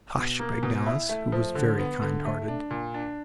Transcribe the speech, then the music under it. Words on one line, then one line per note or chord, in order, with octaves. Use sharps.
"Hush!" begged Alice, who was very kind-hearted.
B2
A#3
B2
E4
A3
F3
D3
B3
D3
A3
D4
A#2
D4